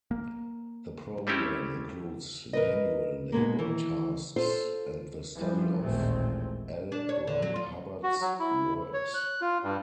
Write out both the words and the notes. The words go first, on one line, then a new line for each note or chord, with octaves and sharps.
The program includes manual labor tasks and the study of L. Ron Hubbard's works.
A#3
G3 A3 C4 C#4 E4 G4
A#4 B4 D#5
B2 G#3 A#3
D#3 E3
F4 A4 C5
E3 F3 G3
A1 D#2 A#2 G#3 A3 C4
D4
C#5
D3
F#3
F4
F#4
F#3
E4
C#5
F#6
F4
G2